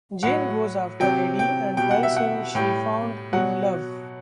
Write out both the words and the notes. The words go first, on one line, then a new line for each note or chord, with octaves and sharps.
Jane goes after Eddie and tells him she found new love.
A2 F#3 F#5
C3 F#3 G5
G5
B2 G3 G5
F#5
E5
F#5
A2 G3 G5
B2 F#3 F#5